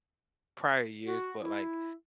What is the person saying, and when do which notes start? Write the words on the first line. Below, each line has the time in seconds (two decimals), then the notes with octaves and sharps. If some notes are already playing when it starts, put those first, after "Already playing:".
prior years, but, like,
1.07 F#4
1.43 E4